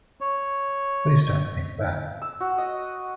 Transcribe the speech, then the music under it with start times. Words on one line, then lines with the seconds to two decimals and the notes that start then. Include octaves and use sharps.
Please don't think that.
0.21 C#5
2.22 E6
2.40 F#4
2.58 D#5